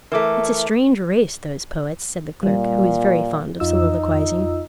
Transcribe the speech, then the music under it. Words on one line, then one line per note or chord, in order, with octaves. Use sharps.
"It's a strange race, those poets!" said the clerk, who was very fond of soliloquizing.
E3 A3 A#4 D6
A#2 G3
F2 D#4 F4 E6